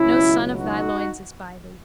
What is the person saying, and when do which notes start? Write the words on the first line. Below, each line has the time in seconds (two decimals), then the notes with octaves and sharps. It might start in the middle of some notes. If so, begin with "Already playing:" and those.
No son of thy loins is by thee.
Already playing: C#2 B2 F#3 C#4 E4
0.59 D#4 F#4